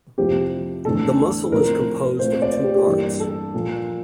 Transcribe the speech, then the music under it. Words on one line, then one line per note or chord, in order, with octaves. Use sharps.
The muscle is composed of two parts.
F2 C3 F3 C4 E4 G4
E2 D3 A3 E4 A4
A2 F3 C4 E4 A#4
A#2 A3 C4 F4 C5
D5
C5
G4
G4
G2 E3 A#3 E4
A4
A#2 F3 A#3